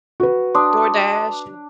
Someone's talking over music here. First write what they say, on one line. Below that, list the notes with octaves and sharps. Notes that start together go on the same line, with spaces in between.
DoorDash an
F#4 B4
D4 C6 D#6